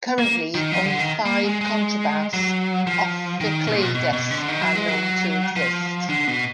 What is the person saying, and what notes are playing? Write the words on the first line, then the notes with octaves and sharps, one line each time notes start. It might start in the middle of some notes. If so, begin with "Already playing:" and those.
Currently, only five contrabass ophicleides are known to exist.
A#3
D#3
F3
D3
D#3
A#3
G#3
G#3
F#3
F3
D#3
B2
A#2
B2
B2
B2
D3
D#3
F#3
G#3
F#3
F3
D3
B2